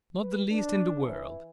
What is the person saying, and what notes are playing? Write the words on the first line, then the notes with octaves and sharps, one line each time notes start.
"Not the least in the world."
B4
D4
E3